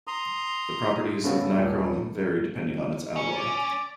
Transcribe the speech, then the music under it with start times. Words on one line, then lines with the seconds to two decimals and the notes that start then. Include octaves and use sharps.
The properties of nichrome vary depending on its alloy.
0.07 A#5 C6 D#6
1.24 C#3 A3 B3
1.59 D#1
3.16 C#4 C#6
3.31 D5